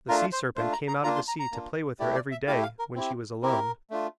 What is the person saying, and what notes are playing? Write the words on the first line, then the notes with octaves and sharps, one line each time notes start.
The sea serpent came out of the sea to play with her every day when she was alone.
A3 D4 F4 A#4
C5
A3 D4 F4 C5
A#5
A#5
A#3 D4 F4 A#5
C6
A#5
A#5
A#3 D4 F4
A3 E4 G4 D5
D5
E5
A3 E4 G4 F5
F5
A#4
C4 E4 G4
C4 E4 G4 A#4
A3 D4 F4